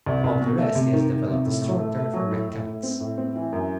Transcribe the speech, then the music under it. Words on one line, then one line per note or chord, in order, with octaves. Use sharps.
Among the rest, he has developed a strong turn for mechanics.
C2
C2
B2
A3
C3
D#3
D#3
C3
A2
A2
A3
A3
F#3
A2
A2
A2
C4
A2
C4
E3
F#2